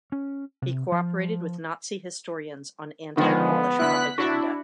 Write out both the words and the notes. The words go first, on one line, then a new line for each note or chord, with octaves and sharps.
He cooperated with Nazi historians on anti-Polish propaganda.
C#4
C3
F3
D3 D#3 F3 G#3 B3
D2 E4 F#6 B6
D4 E4 F#4